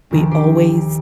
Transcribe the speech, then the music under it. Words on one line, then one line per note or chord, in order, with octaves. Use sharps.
we always,
D2 D#3 F3
G4 C5